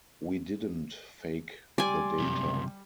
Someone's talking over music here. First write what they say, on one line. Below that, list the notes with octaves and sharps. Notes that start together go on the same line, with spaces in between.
We didn't fake the data.
G3 D5 G#5 C6
F#2 C3